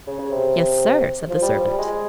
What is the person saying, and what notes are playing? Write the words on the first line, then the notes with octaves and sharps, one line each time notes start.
"Yes, sir," said the servant.
C#3
C#3
C3
F3
G3
F3
G3
G#3